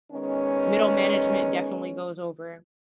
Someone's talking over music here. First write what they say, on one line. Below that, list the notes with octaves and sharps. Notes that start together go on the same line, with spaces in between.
middle management definitely goes over,
D#3 G#3 B3 C#4